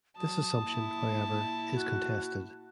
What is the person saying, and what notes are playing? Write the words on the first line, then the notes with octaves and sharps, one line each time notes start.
This assumption, however, is contested.
F#3 A5 D#6
A#2 E4
F#4